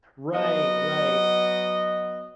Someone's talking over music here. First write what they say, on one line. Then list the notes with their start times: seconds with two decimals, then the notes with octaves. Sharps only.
Right, right.
0.34 F#3 B3 D#5